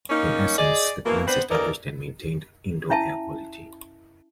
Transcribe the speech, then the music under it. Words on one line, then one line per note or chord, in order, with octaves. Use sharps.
In essence, the plants established and maintained indoor air quality.
A#3 C#4 D#4
G#4 D5 D#5
B2 D#3 E3 A#3
B3 C4 D4 B4 C5
D#2 D3 E3 D#4 A#4 D5
C#4 E4 E5 G#5 A5